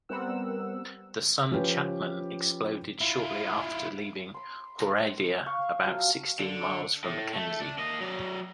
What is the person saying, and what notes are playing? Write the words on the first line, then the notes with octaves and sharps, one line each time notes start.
The "Sun Chapman" exploded shortly after leaving Horadia about sixteen miles from Mackenzie.
G3 B3 C4 A#4 F#5 E6
F3 C#4 F4 G4 B4
E4 F4
B5 C6
F5 C#6
F3 F#3 F5 A5
D3
A2
A3
D4
A#3 D#5
F#3 D5